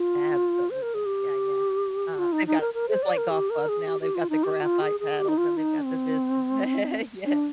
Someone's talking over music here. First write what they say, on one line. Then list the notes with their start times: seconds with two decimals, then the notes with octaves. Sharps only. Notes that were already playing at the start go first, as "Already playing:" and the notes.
Absolutely, yeah, yeah. Uh, they've got just like golf clubs now, they've got the graphite paddles, and they've got the this, and the yeah, yeah.
Already playing: F4
0.70 C5
0.82 A#4
0.94 G#4
1.06 G4
2.18 F4
2.32 D#4
2.47 D#4
2.61 A#4
2.74 A#4
2.89 C5
3.03 D5
3.17 A#4
3.31 G4
3.50 A#4
3.69 G#4
3.87 G4
4.01 G4
4.15 F4
4.30 D#4
4.44 G4
4.62 F4
4.81 G#4
5.00 G#4
5.19 G4
5.28 D#4
5.38 F4
5.57 D#4
5.85 C4
7.26 D4